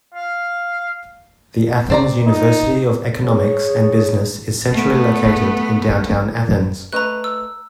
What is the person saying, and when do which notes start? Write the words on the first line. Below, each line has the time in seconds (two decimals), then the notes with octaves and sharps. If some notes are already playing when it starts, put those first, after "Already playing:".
The Athens University of Economics and Business is centrally located in downtown Athens.
0.14 F5
1.90 C4 D5 A#5
2.26 D#4
3.25 G#4 C#5
4.72 A3 B3
6.93 A3 B4 D#5 A#5 F#6
7.24 E6